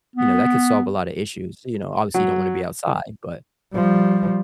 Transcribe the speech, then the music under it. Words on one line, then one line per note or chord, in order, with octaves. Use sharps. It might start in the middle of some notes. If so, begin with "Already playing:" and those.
you know, that could solve a lot of issues. You know, obviously you don't wanna be outside, but,
B3
F#3
F3 G3